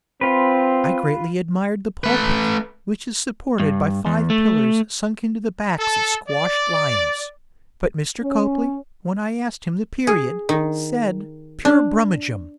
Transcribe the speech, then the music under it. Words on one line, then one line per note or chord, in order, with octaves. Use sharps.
I greatly admired the pulpit, which is supported by five pillars sunk into the backs of squashed lions; but Mr. Copley, when I asked him the period, said, 'Pure Brummagem!'
C4 F4 B4
A3 B4
G2
E2
A3
A4
D5
C#4
G#4
D#3
D4